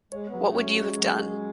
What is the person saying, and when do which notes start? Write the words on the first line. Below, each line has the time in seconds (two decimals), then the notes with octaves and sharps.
What would you have done?
0.12 G#3 C#5
0.28 B3
0.34 F#3
0.44 A3
0.55 C#4
0.60 A3
0.76 G#3 G#4
0.99 F#3
1.19 G#4